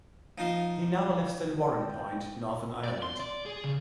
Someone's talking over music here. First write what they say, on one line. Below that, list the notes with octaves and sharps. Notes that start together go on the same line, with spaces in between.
He now lives in Warrenpoint, Northern Ireland.
F3 D#4 F4
G5
D5
C6
D5
G#4
C#3